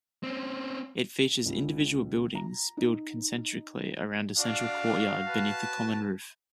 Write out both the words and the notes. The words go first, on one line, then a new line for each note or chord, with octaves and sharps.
It features individual buildings build concentrically around a central courtyard, beneath a common roof.
C4 C#4
C#2
A#5
D#4
D4 F#4 D5 F5
B4 A5